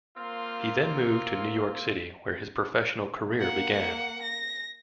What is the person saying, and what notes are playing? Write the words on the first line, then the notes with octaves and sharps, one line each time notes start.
He then moved to New York City where his professional career began.
A#3 C4 F4
A#3 F#5
A#6